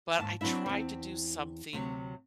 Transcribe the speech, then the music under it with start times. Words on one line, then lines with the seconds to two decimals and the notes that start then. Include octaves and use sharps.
but I try to do something
0.18 D#2 G#2 A5
0.41 F#3 C4 D4 E4 E5
0.66 E2 C4
1.73 D2 C3 F#3